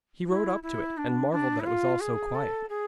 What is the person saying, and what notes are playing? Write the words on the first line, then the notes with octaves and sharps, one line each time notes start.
He rode up to it, and marvelled that it was all so quiet.
E4
E4
D4
D4
E4
F4
G#4
A4
G#4